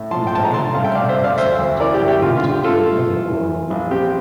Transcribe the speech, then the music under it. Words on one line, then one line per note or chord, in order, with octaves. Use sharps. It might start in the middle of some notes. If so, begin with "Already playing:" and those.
He died in a car accident and went to the netherworld.
Already playing: A2
F3 A5 C6
G5
A3 A5
A#5
A3 A5 C6
C2 F5 A5
E5 G5
A3 D5 F5
C5 E5
A3
D5 F5
D2 C5 E5
D2
E4 A#4 D5
G4
D2
G4
D3 F4
F4
D3
G4
A3 F4 A4
A3
E3
E3
E3
A#1
C4 G4